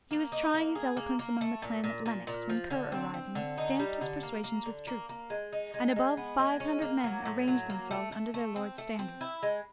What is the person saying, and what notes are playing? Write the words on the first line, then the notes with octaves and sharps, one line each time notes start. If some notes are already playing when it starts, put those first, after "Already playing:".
He was trying his eloquence among the clan at Lennox, when Ker arriving, stamped his persuasions with truth; and above five hundred men arranged themselves under their lord's standard.
A#3
D#4
A#3
G#4
A#3
A#3
A3
A#2
A#2
A#2
A#2
F3
D3
C4
C4
D3
D#4
G3
D3
A#3
A#3
D3
A#3
A#3
G#3
D#4
G#3
G#3
B3
G#3
C#4
A#3
F#3
A2
F#3
A#3
A3
A3
A3
C4
A3
C4
E4
G#3